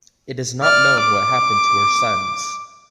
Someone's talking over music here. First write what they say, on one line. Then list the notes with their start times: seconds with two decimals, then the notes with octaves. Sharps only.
It is not known what happened to her sons.
0.62 D5 F6
1.00 D6